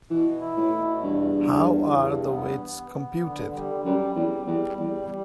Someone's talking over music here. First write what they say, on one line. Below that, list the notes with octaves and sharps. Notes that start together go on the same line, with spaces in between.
How are the weights computed?
B2 E3
E4
A2
B2
E2 G2
E2
E2
G2
B3
B3
B3
D3
G3
F#2 G3
E2 G3
E2 G3
E2 G3
G3